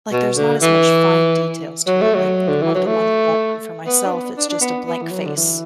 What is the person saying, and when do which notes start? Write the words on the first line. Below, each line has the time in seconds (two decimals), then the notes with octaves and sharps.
like, there's not as much fine details to it. Like, one of the ones that I've done for myself, it's just a blank face,
0.12 B2
0.37 D3
0.62 E3
1.87 F#3
2.02 A3
2.14 F#3
2.48 D3
2.62 E3
2.75 F#3
2.86 A3
3.87 B3
4.06 D4
4.12 B3
4.37 D4
4.49 D4
4.61 B3
4.87 B3
5.02 E3
5.11 F#3
5.26 D3
5.36 E3